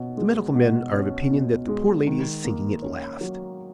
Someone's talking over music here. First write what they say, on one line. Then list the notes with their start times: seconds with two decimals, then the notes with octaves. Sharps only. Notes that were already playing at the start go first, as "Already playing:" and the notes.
The medical men are of opinion that the poor lady is sinking at last.
Already playing: B2 C#4
0.17 G#3
0.55 B2
0.93 C#4
1.31 B2
1.69 G#3
2.07 D#3
2.44 A#3
2.83 C#4
3.21 F#3